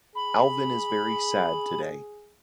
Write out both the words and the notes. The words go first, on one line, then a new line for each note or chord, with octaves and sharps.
Alvyn is very sad today.
G#4 B5